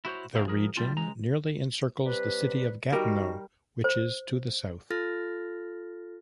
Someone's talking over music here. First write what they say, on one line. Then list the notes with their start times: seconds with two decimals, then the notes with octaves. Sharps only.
The region nearly encircles the City of Gatineau which is to the south.
0.05 E4 F#4 C5 C#5
0.35 C#2 G#2 C4 E4 A#4 F5
0.47 F3 G#4 A#4
0.77 A2 F#3 G3 C#4 F4
0.97 C#2 G#3 A#5
2.05 C3 G3 B4
2.92 D#3 G3 F#4 A#4
3.84 C5
4.90 F4 A4 F6 A6 A#6